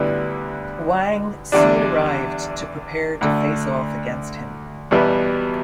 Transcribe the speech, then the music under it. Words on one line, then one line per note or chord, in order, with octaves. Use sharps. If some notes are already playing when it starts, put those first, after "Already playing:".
Wang soon arrived to prepare to face off against him.
Already playing: D2 D3 G3 B3 E4
E2 D3 G3 D4
D2 D3 A3
E2 B2 G3 B3